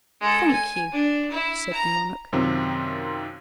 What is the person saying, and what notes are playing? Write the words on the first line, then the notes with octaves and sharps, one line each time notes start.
"Thank you," said the monarch.
G#3 A4
G#5
D4
E4 E5
A#5
F#2 C3 D#3 C4 F4